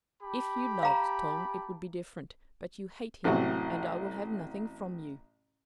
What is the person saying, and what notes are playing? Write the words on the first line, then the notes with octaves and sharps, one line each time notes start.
If you loved Tom, it would be different, but you hate him, and I will have nothing from you.
G4 A5 B5
F5 A#5
A1 C3 E3 F#3 F#5